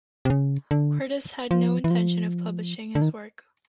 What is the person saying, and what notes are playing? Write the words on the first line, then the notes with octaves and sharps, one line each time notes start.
Cordus had no intention of publishing his work.
C3
C#3
D3
F3
E3
F3
D3
D#3